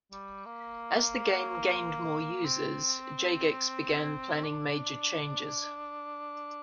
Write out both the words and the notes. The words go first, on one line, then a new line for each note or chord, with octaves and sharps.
As the game gained more users, Jagex began planning major changes.
G3
A#3
C4
D4